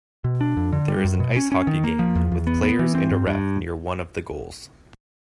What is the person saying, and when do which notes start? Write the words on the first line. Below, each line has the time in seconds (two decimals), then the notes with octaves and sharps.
There is an ice hockey game, with players and a ref near one of the goals.
0.24 B2
0.41 D4
0.57 F2
0.73 D3
0.88 G3
1.04 F#2
1.20 B2
1.36 C#4
1.52 C#4
1.67 D#3
1.84 A#3
1.99 F3
2.15 E2
2.32 E2
2.47 B3
2.63 B3
2.79 E3
2.95 C4
3.11 G2
3.27 G2